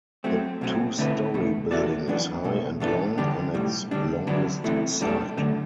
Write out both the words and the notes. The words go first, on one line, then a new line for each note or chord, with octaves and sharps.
The two-story building is high and long on its longest side.
F#3 A3 C4
C2 B2 F#3 A3 C4
D3 A3 C4 E4 B4
E2 B2 A3
E3 B3 F#4 A4 D5
F#2 E3 B3 D4
B1 B2 A3
G2 E3 B3 D4 A4
E2 D3 G3 D4 G4
B1 A2 G3
D3 G3 D4
E2 D3 F#3 B3 D4
C3 E3 A3 E4
B1 A2 G3 D4 A4
F#2 D3 A3